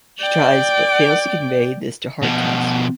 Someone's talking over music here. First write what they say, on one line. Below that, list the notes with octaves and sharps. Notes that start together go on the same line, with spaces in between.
She tries but fails to convey this to Hardcastle.
D5 G5
B2 F3